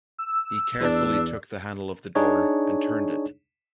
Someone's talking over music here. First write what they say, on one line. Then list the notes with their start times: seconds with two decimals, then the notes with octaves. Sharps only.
He carefully took the handle of the door, and turned it.
0.18 E6
0.81 E2 D4
2.15 D4 D#4 G#4 C#5